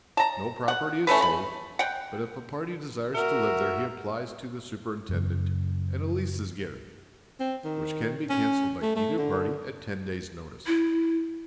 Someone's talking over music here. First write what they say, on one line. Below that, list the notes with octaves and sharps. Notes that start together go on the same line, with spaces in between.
No property is sold, but if a party desires to live there he applies to the Superintendent, and a lease is given, which can be cancelled by either party at ten days' notice.
A5 A#5
F#5
A3 C#4 A4 B4
B5
F#5 G5
F#4 A#4 E5
F#2 C#3
C4
D#3
C#4
A3
A3
D3
E4